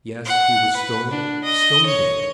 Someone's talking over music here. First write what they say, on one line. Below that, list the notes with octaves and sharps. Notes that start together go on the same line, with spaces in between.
Yes, he was stone, stone dead.
F#5
B4
D4
D#5
C#5